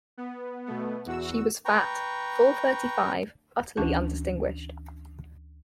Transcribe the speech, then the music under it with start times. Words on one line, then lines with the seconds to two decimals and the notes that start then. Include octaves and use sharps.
She was fat, full thirty-five, utterly undistinguished.
0.17 B3
0.66 B2 A3 B3
1.06 E2 F#4 E6
1.65 B4 G5 A#5 C#6
3.77 D2 E3 C#4 D4 F#4 A5